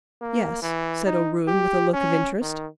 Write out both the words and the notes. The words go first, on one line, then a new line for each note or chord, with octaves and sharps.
"Yes," said O'Roon, with a look of interest.
A#3
E3
D#4
G4
C#4
D#3